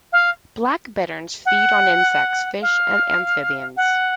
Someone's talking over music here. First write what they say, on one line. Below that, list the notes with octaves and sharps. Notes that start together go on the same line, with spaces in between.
Black bitterns feed on insects, fish, and amphibians.
F5
F#5
F5
F#5